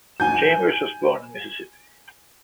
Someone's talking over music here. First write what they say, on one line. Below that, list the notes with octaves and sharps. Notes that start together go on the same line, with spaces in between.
Chambers was born in Mississippi.
G#5 G6